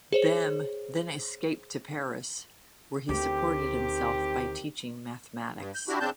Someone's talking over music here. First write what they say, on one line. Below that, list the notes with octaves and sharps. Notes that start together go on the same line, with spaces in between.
Bem then escaped to Paris, where he supported himself by teaching mathematics.
G#4 C5 C#5
D2 D#3 C4 G4
G2
G6
D4 E4 F#4 G4
C#3 C4 D4 A5 G6